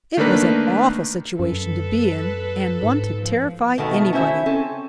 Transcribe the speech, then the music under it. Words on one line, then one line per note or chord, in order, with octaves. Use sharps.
It was an awful situation to be in, and one to terrify anybody.
D#3 A3 A#3 D4 A#4 B4
F#2 A4 B4
G#2
F3
B2 D#3 A3 B3
C#4 E4 F#4 C5 E5
C4 C#4 A4